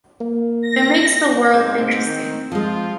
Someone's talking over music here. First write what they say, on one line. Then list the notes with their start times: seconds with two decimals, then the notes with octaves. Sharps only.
It makes the world interesting.
0.21 A#3
0.61 A#6
1.54 G#2 C4
2.06 D#3
2.52 F3 G#3 F4